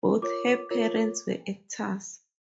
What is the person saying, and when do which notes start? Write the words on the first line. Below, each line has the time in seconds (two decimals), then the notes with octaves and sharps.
Both her parents were actors.
0.22 F4 A#4 C#5 D6
0.70 F4 A#4 C#5